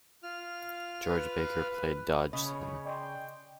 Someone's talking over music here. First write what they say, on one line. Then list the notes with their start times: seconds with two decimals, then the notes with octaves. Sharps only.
George Baker played Dodgson.
0.23 F4 F6
1.09 B4
2.33 C#3 C#5 D#5 B5 D#6
2.86 D5 D#5 G5 C6